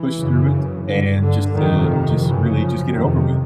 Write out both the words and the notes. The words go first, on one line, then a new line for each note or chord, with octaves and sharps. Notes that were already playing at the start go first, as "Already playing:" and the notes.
push through it, and just to just really just get it over with.
Already playing: E3
F#2 C#3
G2 D3
D3
F2 C3 D#3
D#3
F#2 C#3 E3
F3
F2 C3 D#3